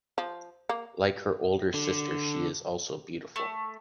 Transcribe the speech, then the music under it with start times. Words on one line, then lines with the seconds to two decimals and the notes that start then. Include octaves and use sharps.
Like her older sister, she is also beautiful.
0.18 F3
0.69 A#3
1.74 D3
3.36 A3